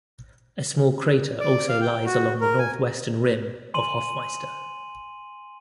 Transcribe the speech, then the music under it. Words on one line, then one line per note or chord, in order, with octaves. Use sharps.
A small crater also lies along the northwestern rim of Hoffmeister.
D5
F5
G5
F#4
A#4
G#5
G#5 C6 D#7 F#7